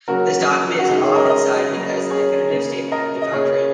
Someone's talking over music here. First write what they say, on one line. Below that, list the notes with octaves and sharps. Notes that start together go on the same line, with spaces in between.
This document is often cited as the definitive statement of the doctrine.
C#3 F#3 A#3 F#4 A#4
F#4
C#3 G#3 D#4 G#4
G#4 C#5
A#4 D#5
A#4 D#5
C#3 F#3 A#3
G#4 C#5
C#3 A#3
A#4 D#5
D#5
C#3 A#3 G#4 C#5